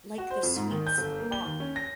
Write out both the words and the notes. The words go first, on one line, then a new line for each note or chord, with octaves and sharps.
Like the suites Opp.
F#4
C5
F2
G#2
D#3
G6
G1
A#3
G7
D#2
C#4
A#6